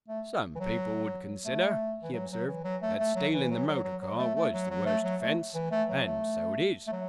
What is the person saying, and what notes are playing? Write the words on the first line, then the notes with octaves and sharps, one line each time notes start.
'Some people would consider,' he observed, 'that stealing the motor-car was the worst offence; and so it is.
A3
E3
F#3
A3
E3
F#3
F#3
E3
F#3
A3
A3
F#3
E3
F#3
F#3
F#3
F#3
A3
A3
F#3
F#3
A3
F#3
A3
E3
A3
F#3
A3
A3
F#3